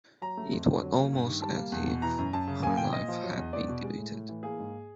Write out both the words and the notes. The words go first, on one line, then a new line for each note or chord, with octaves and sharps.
It was almost as if her life had been deleted.
F#3 A#5
A3
F2
D3
F#3
A#3
G2
D#3
G3 A5
A#3
E2
B2
E3 A#5
F#2
F#2 A5
C#3
A#3 G#5
A#2 G5
A#2 D#5
F3
F#3
E2
E2 D5
B2
G#3
A2
A2
E3
A#3 G#4
G#2